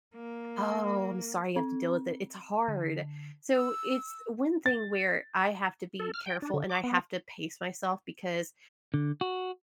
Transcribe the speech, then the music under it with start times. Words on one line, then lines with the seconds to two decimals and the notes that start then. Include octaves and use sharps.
Oh, I'm sorry you have to deal with it. It's hard. So, it's one thing where I have to be careful, and I have to pace myself because
0.15 A#3
1.56 C4
2.68 D3
3.56 E6
4.66 A6
5.99 A4
6.14 F6
6.26 G5
6.42 D4
6.54 D3
6.70 D6
6.84 B3
8.94 D3
9.21 F#4